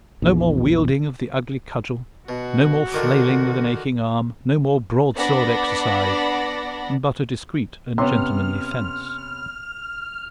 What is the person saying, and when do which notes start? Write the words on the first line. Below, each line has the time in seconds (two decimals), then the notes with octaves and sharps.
No more wielding of the ugly cudgel; no more flailing with an aching arm; no more broadsword exercise, but a discreet and gentlemanly fence.
0.22 A#1 E2
2.29 B2 F#4
2.92 D3 D#3 D6
5.16 B3 D4 D5 F#5 B5 A#6
7.98 C3 B3 C#4 C6 F6